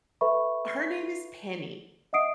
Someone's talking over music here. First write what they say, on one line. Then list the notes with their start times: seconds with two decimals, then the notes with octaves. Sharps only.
Her name is Penny.
0.21 A4 B4 E5 B5 C#6
2.13 D#5 E5 F#5 D#6 C7 D7